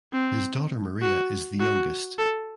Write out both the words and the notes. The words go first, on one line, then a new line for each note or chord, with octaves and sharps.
His daughter Maria is the youngest.
C4
F#4
F#4
A4